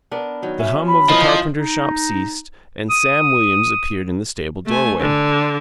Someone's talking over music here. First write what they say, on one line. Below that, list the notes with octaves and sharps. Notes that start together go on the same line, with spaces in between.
The hum of the carpenter shop ceased, and Sam Williams appeared in the stable doorway.
B3 D4 A#4
D#3 F#3
C#4 E5
B5
E3 F3 F4 D#5
D#4
D#6
A3 G#5
D3